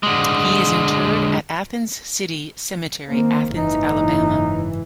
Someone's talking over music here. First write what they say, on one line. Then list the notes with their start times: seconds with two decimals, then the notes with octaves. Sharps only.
He is interred at Athens City Cemetery, Athens, Alabama.
0.03 D3 G#3
3.08 D#3 A#3 C4
3.55 F#1 G#2 E3 D#4